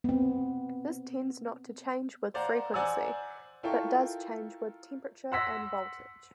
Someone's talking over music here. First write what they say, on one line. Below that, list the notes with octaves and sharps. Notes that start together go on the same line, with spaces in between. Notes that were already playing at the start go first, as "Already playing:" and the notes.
This tends not to change with frequency, but does change with temperature and voltage.
B3 C4
C5 D5 F5 F#5 A#5
C5 D5 F#5 G#5 A#5 E6
E4 F4 A4 A#4 G5 C#6
F#5 C6 E6 A#6 B6